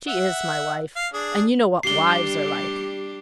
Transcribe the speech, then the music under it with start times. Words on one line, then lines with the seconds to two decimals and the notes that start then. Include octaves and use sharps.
She is my wife; and you know what wives are like.
0.08 E5 F#5
0.96 F5
1.14 D4 G#4
1.83 G3 D4 G4 C7 G7